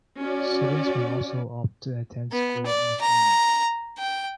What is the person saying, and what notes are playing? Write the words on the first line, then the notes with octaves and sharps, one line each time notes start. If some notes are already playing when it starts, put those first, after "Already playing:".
Students may also opt to attend school in Nocona.
C#4 F#4 D5
B3
D5
A#5
G5